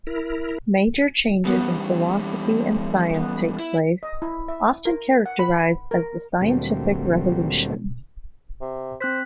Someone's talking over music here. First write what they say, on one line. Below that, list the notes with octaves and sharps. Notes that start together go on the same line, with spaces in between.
Major changes in philosophy and science take place, often characterized as the Scientific revolution.
E4 A#4
E2 G3 B3
B3
E4
D#5
E4
E5
A#4
F#5
B5
A#4
D2 A#2 F#3 G3 A3 C4
C3
C4 C5 F#6 B6